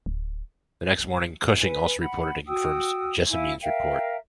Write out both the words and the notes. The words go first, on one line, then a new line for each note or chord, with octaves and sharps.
The next morning, "Cushing" also reported and confirmed "Jessamine"s report.
D1
B4 G#5
F#5 B5
F#4 G5 D#6 E6
E4 F5 G#5
A#4 E5 F5 G5